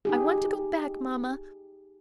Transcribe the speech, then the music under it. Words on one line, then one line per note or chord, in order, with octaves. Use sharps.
I want to go back, mamma.
D#4 G4 G#4